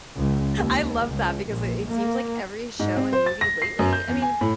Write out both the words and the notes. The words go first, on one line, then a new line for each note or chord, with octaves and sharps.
I love that because i it seems like every show and movie lately I mean,
C#2
D#2
C#2
A#1
A#3
G#2
C4
C5
A6
A#6
C7
F#2
G6
E2
G#5
A2